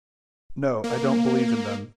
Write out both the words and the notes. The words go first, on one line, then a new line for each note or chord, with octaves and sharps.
No, I don't believe in them.
A#3